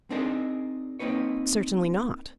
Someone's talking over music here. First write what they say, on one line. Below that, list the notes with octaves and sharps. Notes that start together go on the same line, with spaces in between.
"Certainly not."
C4 D4 D#4 G#4 A#4 C5
A#3 C4 D#4 B4 C#5